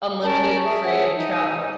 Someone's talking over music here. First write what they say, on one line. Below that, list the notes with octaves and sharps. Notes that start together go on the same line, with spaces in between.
unlimited free travel.
C#4 A#4 A5
G#4 E5
G#4 C#5 E5 F#5
D#4